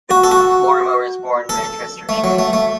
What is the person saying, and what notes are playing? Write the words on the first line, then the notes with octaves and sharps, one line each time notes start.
Lorimer was born in Manchester, England.
F#4
A4
F#4
A4
A3
F#3
A3
A3